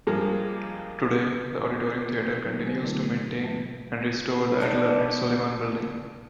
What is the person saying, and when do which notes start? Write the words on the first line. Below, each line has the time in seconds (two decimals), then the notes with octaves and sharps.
Today, the Auditorium Theatre continues to maintain and restore the Adler and Sullivan building.
0.07 G2 F3 G#3 A#3
2.41 D#3 F#3 D#4
2.65 D3 G#3 G4 B4 C5
2.84 D3 A3 D#4 F4 A#4
3.01 G#2
3.42 E3 F#3 A3
4.60 G#3 D4 D#4